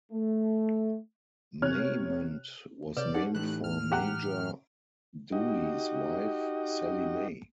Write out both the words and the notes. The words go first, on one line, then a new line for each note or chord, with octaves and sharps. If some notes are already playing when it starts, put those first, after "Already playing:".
Maymont was named for Major Dooley's wife, Sallie May.
A3
C3 C#5 F6 F#6
C3 B4 C#5 D5
D#4 G4 F#5
A2 E3 A3 F#6
F6
G4 F#5 A#5
D#4 F#4 G4 D#5